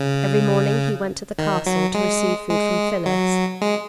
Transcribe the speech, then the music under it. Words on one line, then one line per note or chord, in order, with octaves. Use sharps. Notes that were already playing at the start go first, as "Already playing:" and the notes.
Every morning he went to the castle to receive food from Phyllis.
Already playing: C#3
D#3
F#3
G#3
G#3
F#3
G#3